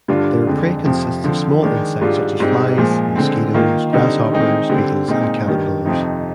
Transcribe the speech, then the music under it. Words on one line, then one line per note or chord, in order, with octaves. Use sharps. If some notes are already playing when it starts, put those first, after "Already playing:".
Their prey consists of small insects such as flies, mosquitoes, grasshoppers, beetles, and caterpillars.
G2 D3 G3 D4 F4
F2 D3 G#3
F2 C3 F3
D3 F3 C4
D#3 G#3 D4
G#2 G3 D4 F4
G#2 G3 C4 D#4
A#2 F3 G#3
D3 G#3 C4
D#3 A#3 F4
D3 G3 C4 D#4
D#3 G#3 C4 D#4
D3 G3 C4
A#2 G#3 C4 D#4
G2 D#3 G3
F2 C3 F3 C4 D#4